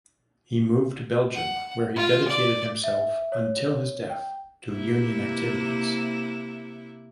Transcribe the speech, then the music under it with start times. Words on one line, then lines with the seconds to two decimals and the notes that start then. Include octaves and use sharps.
He moved to Belgium where he dedicated himself until his death to union activities.
1.35 F#5
1.96 F4
2.28 D5
2.84 E5
3.32 C#5
4.10 G5
4.71 C3 A#3 E4